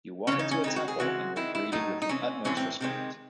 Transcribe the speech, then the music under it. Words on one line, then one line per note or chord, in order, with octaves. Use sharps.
You walk into a temple and you're greeted with the utmost respect...
C#3 E3 G#3 C4 C#4
D#4
C#4
C#3 G#3 C4 D#4
F#4
G#4
C#3 E3 G#3 C4 F#4
D#3 G#3 C4 E4
E4
A2 F#3 A3 D#4
D#4
C3 E3 C4 C#4
A2 E3 C4 C#4
C4
C3 D#3 G#3 C4